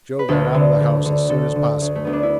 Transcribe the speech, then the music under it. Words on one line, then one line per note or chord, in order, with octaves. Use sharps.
Joe got out of the house as soon as possible.
B4
D2 A4
D3
D2
D3
D3 A4
D3
D2
A3
D2 B3
D4
E4